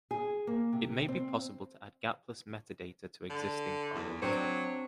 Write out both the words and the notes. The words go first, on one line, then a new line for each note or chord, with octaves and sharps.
It may be possible to add gapless metadata to existing files.
G#4
A#3
C3
C4
D3
E2
F#3 C4 D4 C5